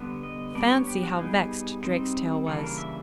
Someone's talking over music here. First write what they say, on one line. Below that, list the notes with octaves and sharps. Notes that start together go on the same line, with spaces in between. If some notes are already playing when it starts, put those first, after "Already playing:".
Fancy how vexed Drakestail was!
Already playing: D3 G3 B3
D#5
G3 B3 D4 D5
C#5
G4
F#4
G3 B3 D#4 G#4
G3 C4 D#4
C#3 E3 G3 A#3 D4 A4
A#4
E5